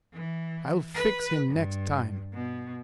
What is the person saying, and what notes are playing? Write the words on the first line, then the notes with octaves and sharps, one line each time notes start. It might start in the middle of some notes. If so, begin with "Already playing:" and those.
I'll fix him next time.
E3
B4
G2
B2